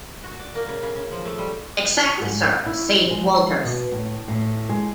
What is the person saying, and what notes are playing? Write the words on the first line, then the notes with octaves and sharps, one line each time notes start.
"Exactly, sir," said Walters.
F#4
D5
A#3
C#3
C#3
C#3
F3
A3
G3
G#2
E4
G#3
B2
A2
A2
G#3